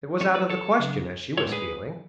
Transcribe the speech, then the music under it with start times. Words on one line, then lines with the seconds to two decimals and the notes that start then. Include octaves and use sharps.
It was out of the question, as she was feeling.
0.20 F3 A3 C#4 A4 C#5
0.35 B4 D5
0.50 A4 C#5
0.79 C#3 F#3 B3 D4
1.37 A2 G#3 B3 D4 A4 C#5
1.52 G#4 B4